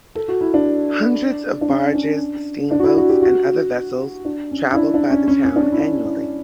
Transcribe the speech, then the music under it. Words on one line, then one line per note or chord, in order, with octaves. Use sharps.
Hundreds of barges, steamboats, and other vessels traveled by the town annually.
A4
F#4
E4
D4
D4
C#4
D4
D4
F#4
E4
F#4
G4
F#4
D4
C#4
E4
D4
D4
C#4
C#4
C#4
D4
C#4
E4
D4
E4